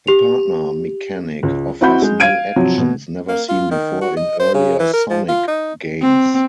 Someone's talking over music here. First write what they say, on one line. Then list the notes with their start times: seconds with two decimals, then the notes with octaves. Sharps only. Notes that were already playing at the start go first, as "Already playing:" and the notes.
The partner mechanic offers new actions never seen before in earlier "Sonic" games.
0.07 G4 F7
1.43 C#2
1.81 C4 E4 F#4 B5 G6
2.02 G#3
2.20 F5 G#6 D7 D#7
2.56 C3 F3 F#3
2.78 B2
3.29 A#3
3.49 F4
3.71 D#3
4.01 F#4
4.16 D#5
4.39 C5
4.54 C#3
4.79 E3
4.93 A#4
5.10 F3
5.29 F4
5.48 D#4
6.02 C4